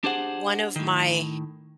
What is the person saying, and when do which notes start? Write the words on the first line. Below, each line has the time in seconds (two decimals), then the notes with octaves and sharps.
one of my
0.04 D4 G4 G#4 C5 F#5
0.76 A2 D#3